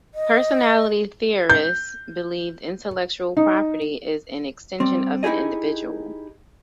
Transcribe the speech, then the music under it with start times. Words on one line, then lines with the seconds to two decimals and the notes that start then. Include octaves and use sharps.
Personality theorists believe intellectual property is an extension of an individual.
0.15 D#5
1.50 G6
3.37 D#4
4.80 G3 C4
5.23 D#4 E4 G4 G#4 D#5